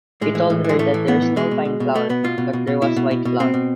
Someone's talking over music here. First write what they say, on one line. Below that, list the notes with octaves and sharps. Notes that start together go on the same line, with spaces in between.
He told her that there was no fine flour, but there was white flour.
A2 G#3
E3
A2
E3 G#3
A2 A3
E3
A2 B3
E3
B2 G#3
B2
B2
B2
B2 A3
B2 B3
B2 F4
B2
B2
B2
B2 E4
B2
B2
B2
B2 C4
B2